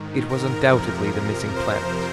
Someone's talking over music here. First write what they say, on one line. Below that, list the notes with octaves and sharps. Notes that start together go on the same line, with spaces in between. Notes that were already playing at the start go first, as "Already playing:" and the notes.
It was undoubtedly the missing planet.
Already playing: G#2 D#3
A#4
F2 C3 F3
C5